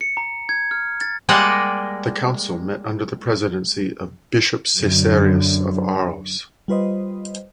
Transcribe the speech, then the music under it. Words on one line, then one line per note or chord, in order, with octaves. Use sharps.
The Council met under the presidency of Bishop Caesarius of Arles.
C#7
A#5
G#6
F6
A6
G3 G#3 A#3 D5 D#5 F#5
F#2 D3
G3 F4 B4 C5 D#5